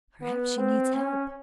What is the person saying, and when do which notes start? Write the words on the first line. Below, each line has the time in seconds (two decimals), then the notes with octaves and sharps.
"Perhaps she needs help."
0.22 B3
0.58 C4
0.94 C#4